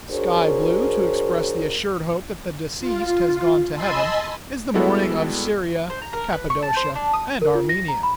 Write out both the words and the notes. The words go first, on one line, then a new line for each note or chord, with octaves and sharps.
Sky-blue, to express the assured hope that the deceased has gone to heaven, is the mourning of Syria, Cappadocia, and Armenia.
D4 F#4 G#4 A#4 C5 C#5
F4
D#5 G#5 A5 B5 C6 E6
G3 G#3 B3 E4 F#4 A4
C5
A#5
A#4
B4
C#6
A5
C5
D4
D#6
A#4
F4
A#6
A#5
B5